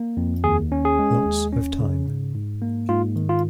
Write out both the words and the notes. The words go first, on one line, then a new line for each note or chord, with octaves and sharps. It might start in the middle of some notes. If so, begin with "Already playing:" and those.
Lots of time.
Already playing: A#3
F2
D#2 G#4
C#4
G#4
G#3
D#2
C#4
C#3
G#2
G#2
A#3
G#2 F4
D#3
F4